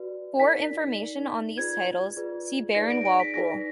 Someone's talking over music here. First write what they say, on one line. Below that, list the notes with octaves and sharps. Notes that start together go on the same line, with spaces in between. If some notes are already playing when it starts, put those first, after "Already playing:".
For information on these titles see Baron Walpole.
Already playing: F#4 B4 D5
D#4 A#4 D5 B6
D#4 A#4 D5
F4 G#4 B4 D5 G#6
F4 G#4 B4 D5
D#4 G#4 B4 D5 A#6
D7
D7
B6
D#4 G#4 B4 D5 A#6